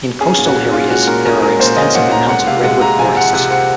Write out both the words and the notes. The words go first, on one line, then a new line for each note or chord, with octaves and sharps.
In coastal areas there are extensive amounts of redwood forests.
C#4 G#4
A#2
F#4
C#4
A#2 F4
G#3 F#4
A#2 A#4
C#4 A#4
G#3 A#4
A#2 C5
C#4 D#5
A#2 F#5
A#2 A#5
G#3 F#5
C3 F5
G#3 F#5
C3 A#5
F3 G#5
F3 F#5
C3 F#5
C4 F#5